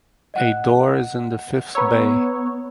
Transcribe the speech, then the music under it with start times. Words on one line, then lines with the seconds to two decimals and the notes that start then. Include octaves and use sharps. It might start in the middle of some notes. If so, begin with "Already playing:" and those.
A door is in the fifth bay.
0.34 D#5 F#5 F#6
1.75 B3 C#5 A#5 E6